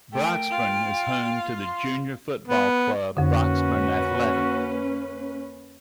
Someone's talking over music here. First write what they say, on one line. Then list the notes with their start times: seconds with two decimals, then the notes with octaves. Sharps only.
Broxburn is home to the junior football club Broxburn Athletic.
0.13 A3 A#4 G5
0.50 F4 F5
1.60 C6
2.48 B3
3.17 F2 D3 A#3 C#4 F#4 B4